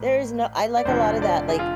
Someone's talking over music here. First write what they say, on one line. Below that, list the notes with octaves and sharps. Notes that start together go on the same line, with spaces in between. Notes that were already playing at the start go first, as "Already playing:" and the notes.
there is no I like a lot of that, like,
Already playing: A1 A2 E3
D5
F1 F2 D3 F3 C5
D5
G#4
F4